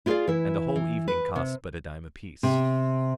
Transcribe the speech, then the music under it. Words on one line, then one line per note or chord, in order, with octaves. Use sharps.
And a whole evening costs but a dime apiece.
E4 F4 G#4 B4 D5 F5
E3 E4
E3
B4
C3
C3